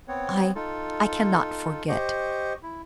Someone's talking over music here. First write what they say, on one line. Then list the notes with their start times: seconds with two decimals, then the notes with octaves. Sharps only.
"I--I cannot forget."
0.08 B3 C4 C#5
0.55 D#4 F4 A4
1.89 G4 C5 D#5 C#6
2.63 E4